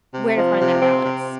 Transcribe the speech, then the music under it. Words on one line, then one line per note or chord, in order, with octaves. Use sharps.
where to find that balance.
C3
F3
C3
C4
C3